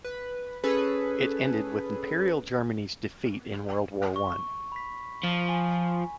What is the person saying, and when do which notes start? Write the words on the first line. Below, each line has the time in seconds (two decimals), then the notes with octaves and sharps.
It ended with Imperial Germany's defeat in World War One.
0.04 B4
0.64 C#4 G#4 A4 B4
4.16 C#6
4.72 B5 B6
5.24 F3
5.49 G#5